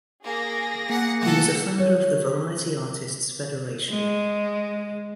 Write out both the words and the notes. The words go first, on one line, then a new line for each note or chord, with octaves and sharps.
He was a founder of the Variety Artists Federation.
A#3 G#4 A#6
A#3 F#5
C3 F#3 A3 A4 F#5
C#5
G#3